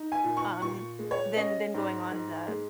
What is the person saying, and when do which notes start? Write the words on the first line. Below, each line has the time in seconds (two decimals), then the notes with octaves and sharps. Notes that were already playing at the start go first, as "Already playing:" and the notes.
um, than than going on the
Already playing: D#4
0.12 G#5
0.24 A#2
0.37 C#6
0.62 A#2 C#6
0.99 G#3
1.11 C#5
1.36 C#4 D#5
1.74 G#2
2.11 G#2
2.48 G#3